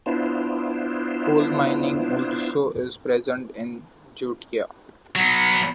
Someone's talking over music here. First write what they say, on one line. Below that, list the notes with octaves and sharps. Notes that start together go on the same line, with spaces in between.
Coal mining also is present in Jiutai.
B3 D4 E4 F4 C5
F#3 B3